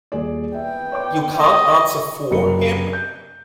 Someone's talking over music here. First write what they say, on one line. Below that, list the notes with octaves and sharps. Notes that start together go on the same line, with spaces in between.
You can't answer for him?
D#1 G#4 D5
B3 E5 G5
C#5 D5 D6
D#5
F#1 F#2 C3 C#7
G6